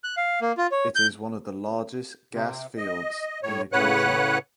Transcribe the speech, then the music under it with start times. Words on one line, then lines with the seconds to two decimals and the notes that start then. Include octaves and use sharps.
It is one of the largest gas fields in the country.
0.04 F#6
0.17 F5
0.41 A#3
0.57 F4
0.72 C#5
0.95 G6
2.33 C3
2.77 D#5
3.43 A2 C#5
3.72 A2 C#3 B4 C#5 F#5 F#6